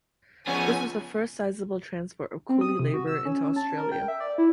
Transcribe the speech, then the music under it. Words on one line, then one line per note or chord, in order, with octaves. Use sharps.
This was the first sizeable transport of coolie labour into Australia.
C#2 F3 B3 C#4 G#5
C4
D#6
C3
F#4
E6
C#4
A5
A#4
G5
E5
D5
E4